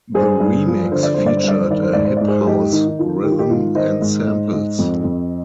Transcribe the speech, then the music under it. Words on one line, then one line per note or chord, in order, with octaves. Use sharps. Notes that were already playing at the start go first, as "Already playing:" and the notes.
The remix featured a hip house rhythm and samples.
G2 G#4 C5
G2
F3
D3 C5
D5
G2 C5
D5
C5
G2 D5
C5
D#3 D5
C5
G#2 D5
C5
G#2 D5
G#4 C5
G#4
G#2 D#4 G4
D#3 D#4
D#4
D#3 F4
D#3 G4
F4
D#4 G4
G#2 F4
D#3 C5 D#5
G#2
G#2
G#2
F2
F2